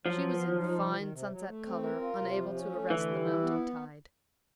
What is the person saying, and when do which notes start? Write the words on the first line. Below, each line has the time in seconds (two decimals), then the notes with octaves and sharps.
She was in fine sunset colour, unable to arrest the mounting tide.
0.06 F3 F#3
0.24 B3
0.42 F#3
0.59 D#4
0.77 C3
0.95 D#3
1.13 C3
1.30 F#3
1.48 A3
1.66 C4
1.83 A#4
2.01 F4
2.19 C3
2.36 F3
2.55 C#4
2.72 A3
2.90 D3 E3
3.07 G3
3.25 E4
3.42 B3